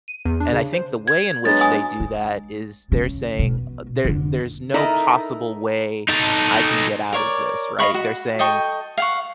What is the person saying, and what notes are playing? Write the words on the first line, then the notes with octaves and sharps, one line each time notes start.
and I think the way in which they do that is, they're saying, "There there's no possible way I can get out of this," right? They're saying,
D#7
E2
D4
C#3
C5
G#6
F#3 G#3 B3 D4 A6
G#5 D#6
G#3
C#3
B2
F1 D3
D#4 E4 A4 A#4 D#5 E5
D#4 A4
A#4 C#5 D5
D#5 F5 B5 C#6
F#4
A4 D#5 G5 C#6
F5 F#5 C#6